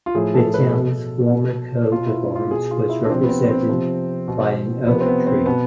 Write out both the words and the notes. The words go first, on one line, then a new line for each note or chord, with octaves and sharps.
The town's former coat of arms was represented by an oak tree.
F4
A2 F3 G#4
A4
B4
G#4
B2 A4
B2
B2 F4
E4
F4
B2 G#4
F4
E4
D4
C3 F3 C4
B3
C4
C4
C3 F3
B2
C3 F3 B3
C4
B3
C4
B2 B3